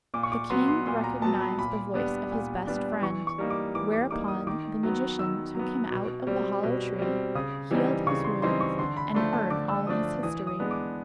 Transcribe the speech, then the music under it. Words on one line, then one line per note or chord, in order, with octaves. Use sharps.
The king recognised the voice of his best friend: whereupon the magician took him out of the hollow tree, healed his wounds, and heard all his history.
A#2 D6
C#6
D6
F#3 B3 C6
C6
A#2 C6
A#5
F#3 B3 A5
B5
A#2 B5
G3 B3 D4
A#2
G3 B3 D4
E3 C#6
C#6
G3 A#3 D#4
D6
E3 D6
D6
G3 A#3 D#4 D6
D#6
D#3 D6
F#3 B3
D#3 E6
F#3 B3
B2
G3 C4
B2
G3 C4
C#3 D#6
E3 G3 C4 D#4
C#3 C#6
C6
E3 G3 C4 D#4 C6
C#6
D3 C6
B5
F3 A3 D4 C6
A5
D3 D6
E6
F3 A3 D4 D#6
E3 D#6
D#6
G#3 B3 D4
D6